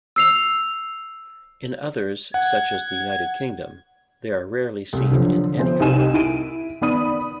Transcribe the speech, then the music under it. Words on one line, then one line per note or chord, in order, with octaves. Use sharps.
In others, such as the United Kingdom, they are rarely seen in any form.
E6 C7 F7
F#5 G#6
C2
D3 F3 F#3
F3 B3 C4 C5
C2 D#4 G4 G#5 D#7 E7
E4 D7 D#7
D#3 B3 D5 B5 D#6 D#7